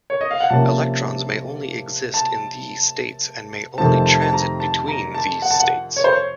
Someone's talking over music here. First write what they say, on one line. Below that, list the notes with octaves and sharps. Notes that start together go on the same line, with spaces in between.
Electrons may only exist in these states, and may only transit between these states.
C#5
D#5
F5
F#5
C3 F3 A#3 C#4 A5
A5
F2 C3 D#3 A3 C4 A5
A5
A5
A#5
A5
A#5
A5
F#5
A5
F#5
C#5
C5
C#5